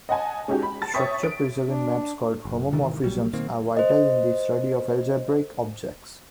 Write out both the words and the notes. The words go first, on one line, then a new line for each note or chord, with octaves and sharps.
Structure preserving maps called "homomorphisms" are vital in the study of algebraic objects.
D#5 F#5 G#5 A5
G#3 C#4 D#4 F#4 G4
B5
A5 A6
C#5 E5 G5 C#6 D#6 B6
D7
D4
F#1
G#1 C3 D#3 E3
A#1 F#3 G3
B2 D#3 A#3 C4
C5 D#5